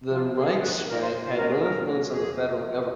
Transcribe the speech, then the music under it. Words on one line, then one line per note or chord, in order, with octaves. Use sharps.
The Reichsrat had no influence on the federal government.
F3 F4
A#3 D#4 G#4
G#4
F3 F#4
G#4
A#3 D#4 A#4
C5
A#2
C5
G#3 C#4 F#4 A#4 C#5
G#4
A#2 A#4
G#3 C#4 F#4 C#5
F2 G#4
C3 F#3 C4
F2